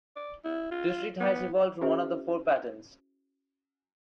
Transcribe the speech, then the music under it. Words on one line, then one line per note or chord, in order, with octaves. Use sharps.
District Heights evolved from one of the four patents.
D5
E4
F4
B3
C#4 E4 F#4 G#4 C5 E5